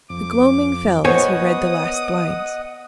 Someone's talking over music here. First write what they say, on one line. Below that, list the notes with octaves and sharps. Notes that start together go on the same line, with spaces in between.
The gloaming fell as he read the last lines.
F2 D6
B3 C5 C#5 D#5 F#5 G#5 D#6